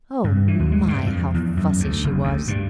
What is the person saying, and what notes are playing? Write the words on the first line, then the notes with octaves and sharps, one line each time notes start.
Oh my, how fussy she was!
G2
E3
D#2
G#3
G2
F2
E2
F#2
D2
F#1
D2
G2